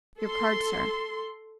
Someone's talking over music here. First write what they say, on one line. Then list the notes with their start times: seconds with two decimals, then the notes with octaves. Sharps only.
"Your card, sir."
0.20 A4 C6